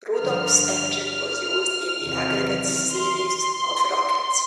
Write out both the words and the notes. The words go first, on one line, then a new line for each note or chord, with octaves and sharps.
Rudolph's engine was used in the Aggregat series of rockets.
G2 D3 F3 F6
E2 C3 D#3 F#3
C6